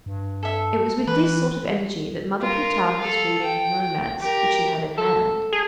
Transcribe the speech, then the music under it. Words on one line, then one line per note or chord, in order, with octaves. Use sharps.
It was with this sort of energy that Mother Plutarque was reading the romance which she had in hand.
G2
A4 E5
E3 B4
F4 A#4
A4 F5
G5
G4 A#4
A4
G#4